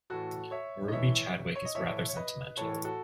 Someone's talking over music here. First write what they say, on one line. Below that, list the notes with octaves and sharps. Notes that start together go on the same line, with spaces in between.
Ruby Chadwick is rather sentimental.
A2 E3 F#4 A4
C#5 E5
D#5
A2 E3 C#5 E5
C#5
D#5
A2 E3 C#5 E5
C#5
B4 D#5
A2 E3 A4 C#5
F#4 A4